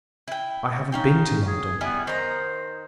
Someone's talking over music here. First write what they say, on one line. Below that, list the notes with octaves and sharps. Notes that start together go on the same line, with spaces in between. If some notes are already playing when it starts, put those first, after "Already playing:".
'I haven't been to London.
E4 G5
C#4 D#4 F5 G5
G#4
G3 B3 E4 G#4
D#3 C5 A#5